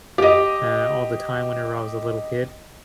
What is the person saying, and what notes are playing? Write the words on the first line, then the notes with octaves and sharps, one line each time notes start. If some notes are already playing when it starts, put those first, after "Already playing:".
uh, all the time whenever I was a little kid,
G4 D#5